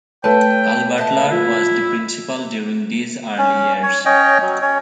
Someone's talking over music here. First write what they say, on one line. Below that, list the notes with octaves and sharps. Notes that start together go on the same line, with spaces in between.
Hal Butler was the principal during these early years.
A3 B4 C#5 G5 A5
A#2 D#5 E5 A5
E4 F4
C#4
C#5
C#4 C#5 D#5 G5
F#3
C#4 C#5